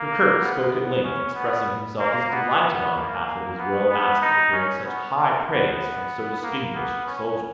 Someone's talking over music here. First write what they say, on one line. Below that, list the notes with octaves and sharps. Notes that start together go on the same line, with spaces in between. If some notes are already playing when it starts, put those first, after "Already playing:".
Gurgurk spoke at length, expressing himself as delighted, on behalf of his royal master, at hearing such high praise from so distinguished a soldier.
Already playing: A#3
B3
B3
C#4
B3
A#3
B3
B3
A#3
B3
B3
D#4
C#4
B3
A#3
B3
A#3
B3
C#4